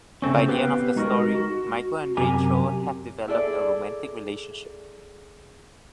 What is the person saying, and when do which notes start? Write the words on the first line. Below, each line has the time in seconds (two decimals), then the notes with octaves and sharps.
By the end of the story, Michael and Rachel have developed a romantic relationship.
0.22 C#3 A3 C4 C#4
0.48 B3 G4 B4 C5 F5 G5
0.96 G#3 D#4 F#4 A#4 D#5
1.35 F#4
2.17 F#2 C3 G4 G#5 A#5
3.28 E4 G#4 A4 D5